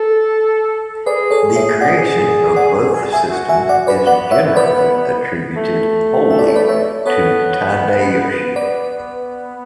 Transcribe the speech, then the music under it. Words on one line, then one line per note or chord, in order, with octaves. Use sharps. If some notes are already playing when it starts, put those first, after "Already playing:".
The creation of both systems is generally attributed wholly to Tadayoshi.
Already playing: A4
G#4 B4 D5
A4 C#5
C#5 E5
G#4 D5 F#5
D5 F#5
G#5
E5 G#5
F#4
E5 G#5
D5 F#5
B4 D5
B3 D5 F#5
C#5 E5
B4 D5
A3
E5
D5
C#5
B4 D5
C#5 E5
B3 A4 C#5
B3 B4 D5